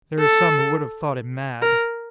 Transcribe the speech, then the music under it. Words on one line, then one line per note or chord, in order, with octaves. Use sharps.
There are some who would have thought him mad.
A4
A#4